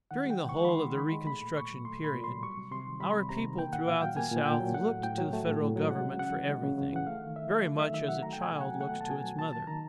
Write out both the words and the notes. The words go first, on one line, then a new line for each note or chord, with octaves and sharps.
During the whole of the Reconstruction period our people throughout the South looked to the Federal Government for everything, very much as a child looks to its mother.
D#3 F#5
G#3
G5
D#3
C#6
G#3
B5
D#3 C6
G#3
D#3 B5
G#3
A3 B5
A#2
A#2 C#6
F#3
A3 C6
A#2
B5
A#2
F#3 C6
G3 C#6
C3
C3 C6
D#3
G3 B5
C3
C3 A#5
D#3
A#3 G5
A#2 F#5
A#2 F5
F#3 G5
A#3 G#5
A#2
A#2 G5
F#3
A3 F#5
A2
A2 G5
F#3
A3
A2
A2
F#3
G#3 F#5
C#3
C#3 F#5
E3
G#3
C#3
C#3
E3 F#5
A3 F5
D#3
D#3 E5
F#3
A3
D#3 E5
D#3 E5
F#3 F#5
A3 A#5
G5
B2 G#5
B2
F#5
F#3
A3 F#5
B2
A5
B2 G#5
F#3
A#3 A5
D#3 A5
D#3 A#5